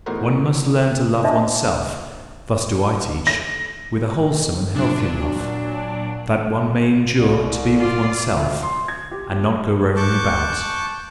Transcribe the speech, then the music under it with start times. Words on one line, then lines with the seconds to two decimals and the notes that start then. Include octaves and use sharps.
One must learn to love oneself--thus do I teach--with a wholesome and healthy love: that one may endure to be with oneself, and not go roving about.
0.06 E2 A2 D#4 F#4 A#4 C5
1.24 D4 C5 D#5 E5 A5
3.27 A#6
4.74 A#2 F#3 D4
7.15 C2
7.79 F4 D5
8.37 D2
8.62 C6
8.88 G#6
9.11 G4
9.31 G4
9.96 A5 C#6 D6 F#6 G6